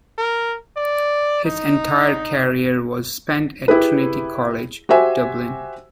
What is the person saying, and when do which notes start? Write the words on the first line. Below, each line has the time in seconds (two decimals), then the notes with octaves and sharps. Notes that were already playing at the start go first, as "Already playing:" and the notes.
His entire career was spent at Trinity College Dublin.
0.18 A#4
0.76 D5
1.45 D#4
3.68 E4 G4 G#4 B4
4.89 F#4 G4 C5 E5 G#5